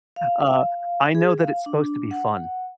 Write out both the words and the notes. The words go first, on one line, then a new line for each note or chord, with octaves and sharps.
uh, I know that it's supposed to be fun,
F5
G#4
F5
D4
F#5